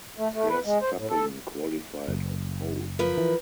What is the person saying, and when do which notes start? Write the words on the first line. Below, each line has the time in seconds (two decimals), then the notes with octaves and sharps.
Verstappen qualified on pole.
0.17 A3
0.33 A3
0.49 B4
0.64 G#3
0.81 C5
0.96 A2
1.09 A4
2.08 F#1
2.99 F3 A#4 B4
3.17 E3